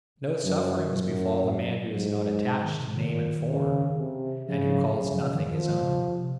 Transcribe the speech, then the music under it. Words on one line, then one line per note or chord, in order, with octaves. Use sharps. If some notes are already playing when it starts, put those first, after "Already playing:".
No sufferings befall the man who is not attached to name and form, and who calls nothing his own.
F#2 F#3
F#2 F#3
G#2 F#3
D#3
C3
A#2 D#3
C#3
C3
C#3 F3
F3
F#3
C#3 F#3
F3
D#3
D#3 F3
D#3
C#3
C3